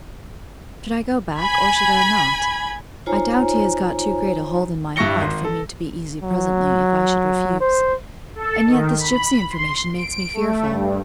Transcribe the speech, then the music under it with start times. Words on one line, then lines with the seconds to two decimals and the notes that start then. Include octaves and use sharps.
Should I go back, or should I not?--I doubt he has got too great hold in my heart, for me to be easy presently, if I should refuse: And yet this gipsy information makes me fearful.
1.38 G#5 B5 G#6
3.06 D#4 F4 C5 C#5 G#5 A#5
4.96 G2 E4 C#6 A#6 C#7 G7
5.21 G#1 C6
5.44 A4
6.23 F#3
7.60 C5
8.35 A4
8.66 D#3
8.99 B5
9.48 C6
9.93 D7
10.34 A3
10.69 G2